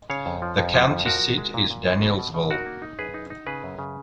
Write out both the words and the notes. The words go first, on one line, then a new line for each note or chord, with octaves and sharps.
The county seat is Danielsville.
C#3 C#5 F5
F2
F3
F2
F3
F2
F3 F#4 A#4
A#2
G#3
A#2
A#2
F3
B2
B2
B2
D#4 F#4 A#4
A#3
D#4
F#2 G#4 B4
D#4
D#4
C#3 G#4 B4
F#2
C#3